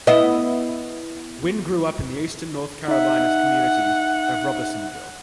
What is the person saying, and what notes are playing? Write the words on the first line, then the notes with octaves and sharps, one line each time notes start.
Wynn grew up in the Eastern North Carolina community of Robersonville.
B3 E4 D#5
D#4 E5 F#5